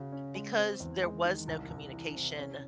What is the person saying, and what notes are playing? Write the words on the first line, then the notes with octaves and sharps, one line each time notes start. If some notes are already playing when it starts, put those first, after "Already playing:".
because there was no communication
Already playing: C#3 F#4
C#4
G#3
C4
E2
G#3
D#3
C2
C2
E3
C3
C#4